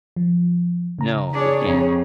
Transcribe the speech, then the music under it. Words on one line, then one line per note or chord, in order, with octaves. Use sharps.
No, it can't.
F3
C#3 A#5
D4 G#4 C#5
F2